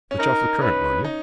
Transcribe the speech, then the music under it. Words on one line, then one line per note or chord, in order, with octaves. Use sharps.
Switch off the current, will you?
C#4
D#4 A#4
C#4 B4
D#4